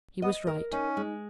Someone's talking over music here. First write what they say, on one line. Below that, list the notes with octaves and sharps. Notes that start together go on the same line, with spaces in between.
He was right.
B3 D#5
A#4
C#4 D#4
G#3